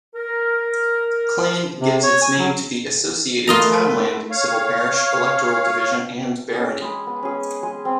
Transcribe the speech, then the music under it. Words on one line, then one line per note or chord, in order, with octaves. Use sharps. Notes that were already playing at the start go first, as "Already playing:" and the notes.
Clane gives its name to the associated townland, civil parish, electoral division and barony.
A#4
C3
C#5
G#5
F#3
A3 F4 A#4 B4 D#5 A#5
C#5 F5
C#4 G#4
G#3 B5
B3
C#4 G#4
G#3 G#5
C4